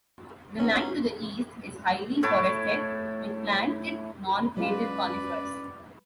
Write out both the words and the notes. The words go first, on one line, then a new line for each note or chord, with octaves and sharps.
The land to the East is highly forested with planted non-native conifers.
B3 C#4 D#4
C#4
A2 A3 E4 A5
F#3 G#3 C#4 F4 B4 D5